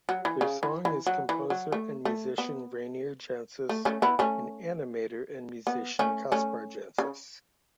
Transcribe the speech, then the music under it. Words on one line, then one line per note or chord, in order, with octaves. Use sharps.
Their song is composer and musician Rainer Jancis and animator and musician Kaspar Jancis.
F#3
E3
C#3
E3
E3
F#3
E3
F#3
A3
A3
B3
A3
A3 C#4
B3 E4
A3 C#4
B3
A3 C#4
A3 C#4
C#3